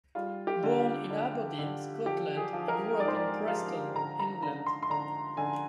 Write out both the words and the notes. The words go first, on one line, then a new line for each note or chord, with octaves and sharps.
Born in Aberdeen, Scotland, he grew up in Preston, England.
G3 F4
G4
D3
F4
D3
D3
F3 G4
G#4
F3
A#4
G#2 D5
C5
D5
F3 F5
D3 A#5
A#5
D3 A#5
C6
C6
D3 A#5
D3 G#5